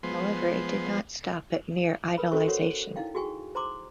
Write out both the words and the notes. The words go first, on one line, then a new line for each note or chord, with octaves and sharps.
However, it did not stop at mere idolisation.
F3 G#3 B3 C5
A#4 B4 B5
C#4 F#4 A4 C5 C#6
F#4 A#4 C5 C#5 F#5
D#4 E4 F5 G5
F#4 G#4 G5 G#5 C#6
C5 A#5 C6 D6